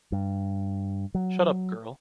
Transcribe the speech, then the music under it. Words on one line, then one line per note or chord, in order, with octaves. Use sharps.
Shut up, girl!
G2
F#3